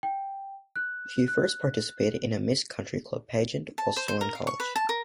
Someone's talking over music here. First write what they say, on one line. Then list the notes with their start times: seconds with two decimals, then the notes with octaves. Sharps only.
She first participated in a Miss Country Club pageant while still in college.
0.03 G5
0.76 F#6
1.28 F#6
3.78 A5
3.96 C5
4.08 C5
4.21 A#4
4.35 F5
4.47 C#6
4.60 B4
4.76 A5
4.89 A#4